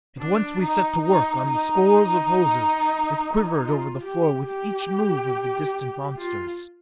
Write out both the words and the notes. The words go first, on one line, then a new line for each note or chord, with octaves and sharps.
At once we set to work on the scores of hoses that quivered over the floor with each move of the distant monsters.
D4
D#4
D#4
D#4
F4
G4
G4
F4